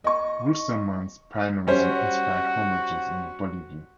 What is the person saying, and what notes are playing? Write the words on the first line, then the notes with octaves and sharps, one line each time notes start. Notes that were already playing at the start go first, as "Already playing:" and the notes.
Wilstermann's pioneerism inspired homages in Bolivia.
D#5 C#6
G3 C#4 F#4 C5